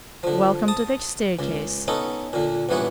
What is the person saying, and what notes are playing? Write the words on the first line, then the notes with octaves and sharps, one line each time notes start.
Welcome to the staircase.
D3 F3
A5 D#6
C#2 C#3
B3 C#4 D#4 A4
A#2 D3
A#1 G2 E3 B3 C#5